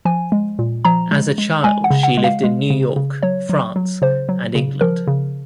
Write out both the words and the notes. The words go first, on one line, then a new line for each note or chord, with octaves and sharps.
As a child, she lived in New York, France, and England.
F3 G#5
G#3
A#2
F3 A#5
G#3
G#3
G#3 G#5
F#5
C#3
F#5
G#3
F5
G#3
C#3
C#3
F#3 C#5
F#3
F#3
C#3 C5
F#3
C#3
F3 A#4
C#3